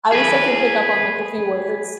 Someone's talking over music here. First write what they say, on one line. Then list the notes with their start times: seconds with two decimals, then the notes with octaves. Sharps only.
at least I can pick up on like a few words
0.12 G#4 B4